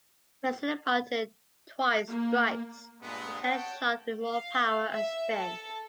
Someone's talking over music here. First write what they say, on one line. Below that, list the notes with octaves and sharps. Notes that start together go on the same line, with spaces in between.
Pressing a button twice strikes the tennis shot with more power and spin.
A#3
G2 A#2 G#3 B3
C#5 F#5 G5 A5
F5
E5
A4